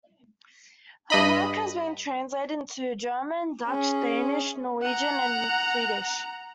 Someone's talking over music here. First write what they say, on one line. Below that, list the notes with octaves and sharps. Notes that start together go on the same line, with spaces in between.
Her work has been translated into German, Dutch, Danish, Norwegian and Swedish.
G2 D#5 B5
C#4 G#4
F#5 A#5